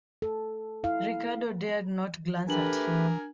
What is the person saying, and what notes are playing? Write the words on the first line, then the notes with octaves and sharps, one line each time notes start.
Ricardo dared not glance at him.
A4
E4 F5
A3 D4 G4 A#4 B4 G#5 F#7